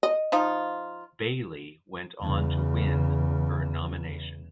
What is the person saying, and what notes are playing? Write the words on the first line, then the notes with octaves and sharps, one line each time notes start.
Bailey went on to win her nomination.
D#5
F3 D#4 F4
E2 C#3